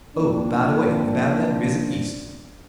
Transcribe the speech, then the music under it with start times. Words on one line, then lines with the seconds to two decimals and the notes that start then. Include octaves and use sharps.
Oh, by the way--about that visit East.
0.17 F3 A#3 C4 D4